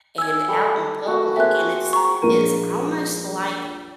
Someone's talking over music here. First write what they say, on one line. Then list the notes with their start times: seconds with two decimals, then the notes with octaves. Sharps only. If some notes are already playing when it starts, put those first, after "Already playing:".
and out in public, and it's it's almost like
0.18 G#5 E6 G#6
0.48 G3 A4 C#6
1.06 A3 F#4
1.36 A#3 C4 G#4 E5 F#6
1.93 A#5 C#6
2.22 A#1 G#3 A#3 A#4 D#7